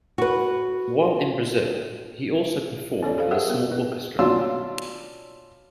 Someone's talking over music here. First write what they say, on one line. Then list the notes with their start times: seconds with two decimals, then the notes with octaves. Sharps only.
While in Brazil, he also performed with a small orchestra.
0.18 F#4 B4
3.03 C#4 A4 C#5 D5
3.18 A4 C5 F5
3.31 G4 G#4 A#4 C5 E5 F#5
3.50 B3
3.72 B4
4.19 B2 C#4 D4 F4 C6 E6